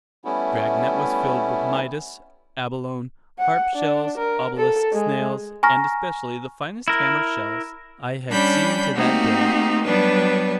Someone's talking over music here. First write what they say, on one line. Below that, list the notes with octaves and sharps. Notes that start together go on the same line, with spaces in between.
Our dragnet was filled with Midas abalone, harp shells, obelisk snails, and especially the finest hammer shells I had seen to that day.
G3 A3 B3 C#4 E4
F#5
D4
A#4
A4
G#3
G#5 A#5 C#6 F6 A#6
E4 A#4
G3 C#4 D4 B5 G6
A3 A#3 C4 D#4 F#4 G4
F#3 G3 B3 D4 B4